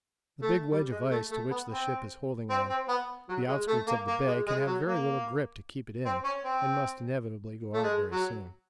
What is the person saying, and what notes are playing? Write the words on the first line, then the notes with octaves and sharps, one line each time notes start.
The big wedge of ice to which the ship is holding on the outskirts of the Bay can have very little grip to keep it in and must inevitably go out very soon.
A3
G3
G#3
A3
A3
B3
C4
C4
C4
B3
F#3
G#3
A3
A#3
A#3
G#3
G#3
F#3
A#3
C4
C#4
C4
A3
G#3
F#3